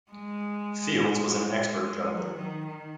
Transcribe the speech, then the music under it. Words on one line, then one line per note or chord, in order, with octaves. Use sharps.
Fields was an expert juggler.
G#3
G#3
F#3
D#3
D#3